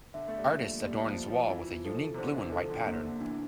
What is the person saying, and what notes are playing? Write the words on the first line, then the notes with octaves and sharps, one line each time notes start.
Artist adorns wall with a unique blue and white pattern.
D3 E5
A3
G3
F3 A#3
G3 A#3
F3
F4
F3
E3 F4
F3 A4
C3
D3 C5
E3
F3 A4
D3
C3 A#3
D3
E3 D4